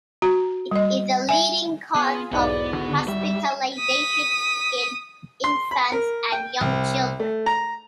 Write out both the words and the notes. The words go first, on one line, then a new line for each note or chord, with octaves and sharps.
It is a leading cause of hospitalization in infants and young children.
F#4 A#5
G3 D#5
E5 G#5
B3 F4 G#4
B1 E2 G#2 B3 D5
D3 F#4
G3 E5
D#6 B6
C6
B5
A#4
G5
C2
A3
A#5